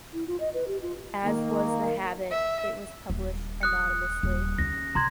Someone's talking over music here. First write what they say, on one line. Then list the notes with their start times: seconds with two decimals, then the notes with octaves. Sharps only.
As was the habit, it was published anonymously.
0.13 E4
0.27 F4
0.40 D#5
0.54 B4
0.67 G4
0.82 F4
1.24 D#3 A#3
2.31 E5
3.10 D#1
3.61 D#6 F#6 C#7
4.23 D#1
4.59 D#2 C#4 A#6
4.95 C2 A#5 C6 G#6